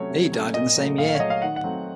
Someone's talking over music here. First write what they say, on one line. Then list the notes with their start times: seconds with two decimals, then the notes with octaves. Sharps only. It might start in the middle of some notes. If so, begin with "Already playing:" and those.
He died in the same year.
Already playing: C3 F#3 A3 C#4 C#5
0.10 C3
0.32 F#3 A3 C#4
0.54 A#2 D#5
0.76 F#3 A3
0.98 A#2 F5
1.09 F5
1.15 C#5
1.19 F#3 A3 D#5
1.30 F5
1.42 D#3 F#5
1.56 F#5
1.64 F#3 A3 C4